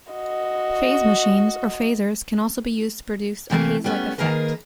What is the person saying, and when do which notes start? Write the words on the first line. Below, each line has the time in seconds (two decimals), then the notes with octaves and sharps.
Faze machines, or fazers, can also be used to produce a haze-like effect.
0.13 F#4 D#5
3.50 C3 E3 A3 A#3
3.84 G3 A3 B3 C#4
4.18 D#3 A#3 G#4 A#4 B4